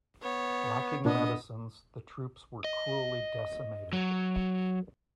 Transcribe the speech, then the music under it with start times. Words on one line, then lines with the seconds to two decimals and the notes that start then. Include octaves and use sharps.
Lacking medicines, the troops were cruelly decimated.
0.22 B3 C#5
1.05 A#2 B3 D4 D#5
2.64 D#5
3.93 F#3